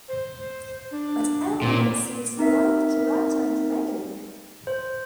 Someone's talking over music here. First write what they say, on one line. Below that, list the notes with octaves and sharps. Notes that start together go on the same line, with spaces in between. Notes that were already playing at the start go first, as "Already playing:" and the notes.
But everyone seems to like the character I play.
C5
D4
A#2 C4
C4 D#4 A#4 E5
C5